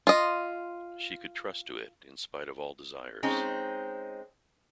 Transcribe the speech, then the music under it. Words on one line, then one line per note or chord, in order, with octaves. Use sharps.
She could trust to it, in spite of all desires.
F4 D#5
G#3 C4 C#4 D#4